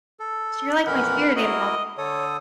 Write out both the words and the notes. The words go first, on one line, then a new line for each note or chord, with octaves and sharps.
You're like my spirit animal.
A4
F2 A#2 E3 A#4 F#5 B5
E4 F#4 A#4 D#5
D3 A4 C#5 D#6